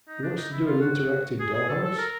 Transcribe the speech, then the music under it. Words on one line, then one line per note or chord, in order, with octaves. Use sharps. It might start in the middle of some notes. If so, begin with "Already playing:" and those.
He wants to do an interactive doll house?
D#4
D4
D#4
E4
F4
F#4
G#4
G#4
A4
A4
A#4